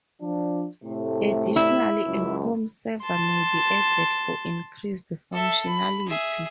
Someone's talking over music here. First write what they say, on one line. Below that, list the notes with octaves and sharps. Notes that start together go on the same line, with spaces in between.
Additionally, a home server may be added for increased functionality.
F3 D4
A2 C3 A3
E4
C#2 F#2
A5 C6
A4 E5
B5
G#4 E5